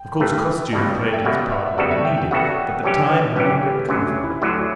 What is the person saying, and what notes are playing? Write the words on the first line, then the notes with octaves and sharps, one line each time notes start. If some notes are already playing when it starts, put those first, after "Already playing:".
Of course costume played its part when needed, but the time had not yet come for that.
Already playing: G5
G2 E3 A3
C#2 B2 G3 A5
G5
E5
C#2 B2 G3 F#5
E5
C#3 G3 B3 F#4 A4 D5
E5
G5
G5
C#3 G3 B3 F#4 A4 F#5
F#2 E3 G3 C#4 G4 C#5
B4
F#2 E3 G3 C#4 G4 B4
G4
D2 D3 F#3 C#4
E4
D2 D3 F#3 E4